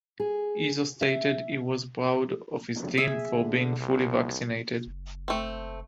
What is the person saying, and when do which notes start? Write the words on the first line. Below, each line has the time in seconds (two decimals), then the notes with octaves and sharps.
Izzo stated he was proud of his team for being fully vaccinated.
0.20 G#4
1.01 E5
2.97 G#4 E5
3.35 D3
3.79 C2
4.86 F#1
5.28 A3 C4